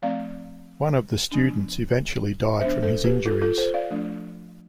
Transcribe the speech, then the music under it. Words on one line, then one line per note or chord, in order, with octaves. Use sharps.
One of the students eventually died from his injuries.
F3 A3 C4 D5 F5
F3 B3 D4
F3 B3 D4 C5 E5
A4 C5
G4 B4
F4 A4
F4 A4
A4 C5
D5 F5
F3 A3 D4